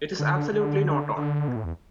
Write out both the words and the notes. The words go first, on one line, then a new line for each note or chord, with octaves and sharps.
It is absolutely not on.
D3
D3
D3
B2
A2
E2